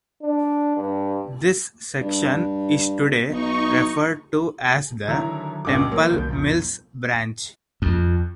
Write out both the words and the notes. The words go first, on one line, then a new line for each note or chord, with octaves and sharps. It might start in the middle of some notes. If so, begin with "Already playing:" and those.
This section is today referred to as the Temple Mills branch.
D4
G2
G2
B1 D#4 C#6
D3 D#3 F#3 E4 A#5
C#2 G2 A#2 D6
F#3 A#3
C2 B2 D#3 G6
B1 F2 A#2
F2